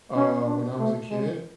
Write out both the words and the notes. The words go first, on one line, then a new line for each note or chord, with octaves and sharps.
uh, when I was a kid,
C#4
D4
A3
G#3